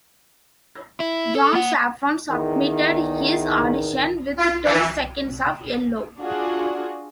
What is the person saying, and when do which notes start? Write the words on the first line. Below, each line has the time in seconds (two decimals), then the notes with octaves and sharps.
John Safran submitted his audition with ten seconds of yellow.
1.00 E4
1.35 A4
1.53 A#3 F#5
2.31 E2 D#3
6.20 D4 F4 F#4 G#4